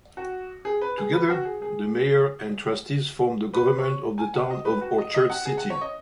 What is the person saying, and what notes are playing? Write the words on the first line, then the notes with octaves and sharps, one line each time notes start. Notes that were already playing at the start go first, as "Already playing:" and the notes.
Together, the mayor and trustees, form the government of the Town of Orchard City.
F#4
G#4
B4
G#4
B4
F#4
G#4
G#4
B4
C#5
G#5
F#5
D#5
B4
F#4
D#5
D#5
F#5
G#4
F#5
C#5
D#5